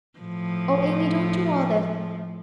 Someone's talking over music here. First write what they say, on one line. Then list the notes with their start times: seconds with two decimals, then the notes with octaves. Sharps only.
'O Amy, don't do all this.
0.19 A2 F3